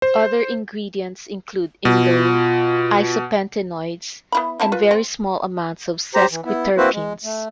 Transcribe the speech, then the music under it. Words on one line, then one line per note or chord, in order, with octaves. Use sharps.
Other ingredient include indole, isopentenoids and very small amounts of sesquiterpenes.
C5
B2 F4
B3 E4 B5
C4 E4 A5
F4 B4
C4
G4 C5 A#5
E3
B3 E4
A#3 C4 E4 F#4 B4 C5
G#3
A3